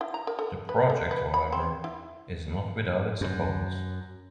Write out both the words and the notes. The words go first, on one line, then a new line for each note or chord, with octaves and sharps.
The project, however, is not without its opponents.
E4
A#5
A#4
A4
B4
A4
B4
B5
C4
E4
F#2